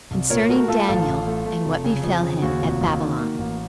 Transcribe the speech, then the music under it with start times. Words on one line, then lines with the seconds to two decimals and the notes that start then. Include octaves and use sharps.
Concerning Daniel And What Befell Him At Babylon.
0.11 C2
0.30 A#2 A#4 C#5
0.49 A3 F#4 A#4
0.68 A3 F4 A4
0.88 A1 F4 A4
1.07 A1
1.27 A3
1.46 A3
1.65 F1
1.84 C#3
2.03 F2
2.23 C#3
2.42 D#2 F#4
2.62 F1
2.81 D#2
3.00 D#3
3.19 A#3
3.38 A1